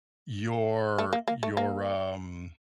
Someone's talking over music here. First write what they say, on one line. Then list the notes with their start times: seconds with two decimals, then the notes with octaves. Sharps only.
your your, um,
0.98 A3
1.13 A#3
1.28 A#3
1.43 A3
1.57 A#3